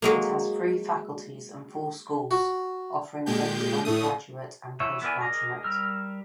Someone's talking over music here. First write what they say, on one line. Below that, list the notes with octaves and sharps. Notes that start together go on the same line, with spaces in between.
It has three faculties and four schools, offering a range of undergraduate and postgraduate.
F#3 G#3 A#3
F#4
A#2 G#3 G4 G6
A2 A3 D#6
E3 C#5 E5
B3 E4 A#4 D5 G#5
G#4 A#4 D#5 D6
G3 A#4 E6 F6